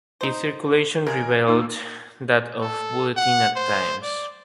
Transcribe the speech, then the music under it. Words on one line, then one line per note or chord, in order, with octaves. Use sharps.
Its circulation rivalled that of the "Bulletin" at times.
D#4 C5
C#3 G#3 G#4 A#4
D#2 A#3 D#4 E6
A4
F#5
C5
D5